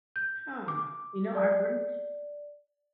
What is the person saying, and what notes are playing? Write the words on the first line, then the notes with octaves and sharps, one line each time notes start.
Huh, you know, I wouldn't
G6
D6
D5